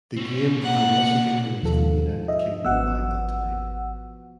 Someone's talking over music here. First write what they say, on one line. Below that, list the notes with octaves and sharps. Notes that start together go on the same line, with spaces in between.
The game had also been released in the United Kingdom by that time.
C4 C#5
B2 A#3 F#5
D#2 B2 F3 F4 A4
D#5 E5
G#1 B3 F#4 F#5 E6